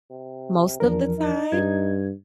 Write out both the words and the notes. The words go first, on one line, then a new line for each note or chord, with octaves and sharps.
most of the time
C3
E2 F3 D4 A#4
D#4
G2 G#6